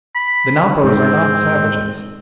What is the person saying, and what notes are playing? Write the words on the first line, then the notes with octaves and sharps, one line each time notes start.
The Napos are not savages.
B5
G#2 C4